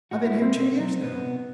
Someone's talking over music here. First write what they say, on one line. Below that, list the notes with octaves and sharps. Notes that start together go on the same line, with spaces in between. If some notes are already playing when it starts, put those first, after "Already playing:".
I've been here two years now.
A2 F#4
E4
G3
C4
B2 C4
F#3
B2 B3